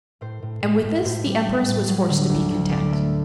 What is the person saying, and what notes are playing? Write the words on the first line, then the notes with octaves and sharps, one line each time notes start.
And with this the empress was forced to be content.
A2 C5
A2
A2
A2
A2 C5
G3
G3
A2
F#3
D3
D2
D2
A3 D5
A3